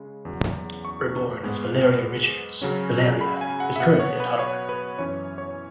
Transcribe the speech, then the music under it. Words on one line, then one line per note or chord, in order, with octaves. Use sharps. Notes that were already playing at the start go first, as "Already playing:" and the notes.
Reborn as Valeria Richards, Valeria is currently a toddler.
Already playing: C#3 G#3
E2 C#3 F#3
C#6
G#2 G#3 B3
C#3 F#3 C#4
B5
G#5
F#5
E5
B2 B3 F#5
C#5
B4
C#5
B4
F#2 E3 C#4 C#5
C#5